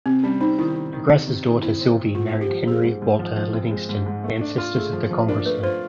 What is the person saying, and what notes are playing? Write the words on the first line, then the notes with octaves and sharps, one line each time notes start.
De Grasse's daughter, Sylvie, married Henry Walter Livingston, ancestors of the Congressman.
C3 C4
G3 C#4
C4 D#4
D#3 E4
D#3
D#3
C3
C3
D#3
C4 E4
C4
C4
G#2 F4
C4
G4
F3
C4 G#4
G#2
G#2
F3
F3
C4
G#3
G#2
G#2
A3
D4
F4
A3 G#4
F3
F3
D4 A#4
A3 B4
F4 C5